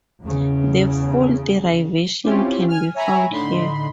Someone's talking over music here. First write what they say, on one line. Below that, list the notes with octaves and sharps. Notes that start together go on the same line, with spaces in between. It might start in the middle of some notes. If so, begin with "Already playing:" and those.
The full derivation can be found here.
E2 C#3
C4 C#4 E4 F4 G4
G#5 F6
C#5 E5 G#5 A#5 B5
A2 D3 D#4 B5 C6